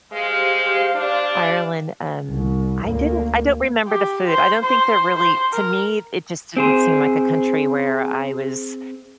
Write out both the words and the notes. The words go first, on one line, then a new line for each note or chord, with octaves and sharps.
Ireland, um, I didn't I don't remember the food. I don't think they're really to me, it just didn't seem like a country where I was
G#3 G4 C5 F5
D4
C2
D2 A#3
G4
C5
C5
C5
A#4
C4 G#4 C5